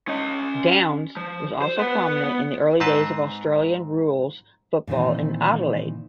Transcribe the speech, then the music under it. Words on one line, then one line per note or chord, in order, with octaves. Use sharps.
Downs was also prominent in the early days of Australian rules football in Adelaide.
C#4 D#5
F3
C5
B3 B4
B3
G#2 C4 B4 A5
A#2 D#3 E3 C4